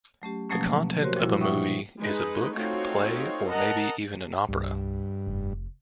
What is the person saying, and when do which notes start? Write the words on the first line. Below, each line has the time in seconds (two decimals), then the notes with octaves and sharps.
The content of a movie is a book, play or maybe even an opera.
0.22 F#3 A3 C#4 G4
0.49 B2 F3 F#3 A3 A#3 C#4
1.01 F#4 G4 A#4 C5 C#5 C6
1.16 A#2 F3 G3 G#3 E4 F#4
1.41 E5 F#5 G5 C#6 D#6 F#6
2.00 G#3 D#4 B4
2.54 A3 C4 D#4 F4 F#4 C#5
3.48 A#4 D#5 F#5 A5 A#5
4.49 C2 G2
5.27 F1